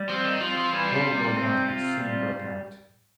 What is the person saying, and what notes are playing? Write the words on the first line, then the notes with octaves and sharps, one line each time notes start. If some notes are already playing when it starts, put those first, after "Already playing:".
World War One soon broke out.
Already playing: G3
F3 C4
D#3
F3 F4
F3
E3 G3
C3
G3
C4
F4
G3